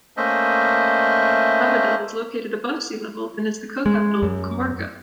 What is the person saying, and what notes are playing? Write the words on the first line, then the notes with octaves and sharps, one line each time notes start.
Sabadell is located above sea level and is the co-capital of the "comarca".
A3 A#3 C#4 C5 D#5 E5
G#3
F#2